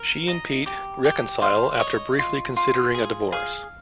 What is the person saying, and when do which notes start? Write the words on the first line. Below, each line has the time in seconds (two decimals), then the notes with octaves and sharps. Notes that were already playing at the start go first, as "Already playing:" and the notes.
She and Pete reconcile after briefly considering a divorce.
Already playing: A#4
0.27 D#5 A#5
0.66 G4
1.04 G4 G5
1.42 C5 F5
1.80 C#5 D#5
2.19 F4
2.56 F4
2.94 G#4
3.32 G#4 F5